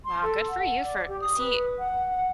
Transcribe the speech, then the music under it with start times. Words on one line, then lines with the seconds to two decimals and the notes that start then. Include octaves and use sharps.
Wow, good for you for See,
0.05 C6
0.22 A4
0.48 F#5
0.83 D5
1.08 G4
1.21 D#6
1.38 B4
1.79 F#5
2.11 F#5